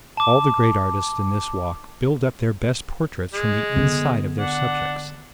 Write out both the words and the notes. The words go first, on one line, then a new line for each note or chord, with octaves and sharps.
All the great artists in this walk build up their best portraits from the inside of their subjects.
A5 D6
G#3
D3 B3
D4 F#5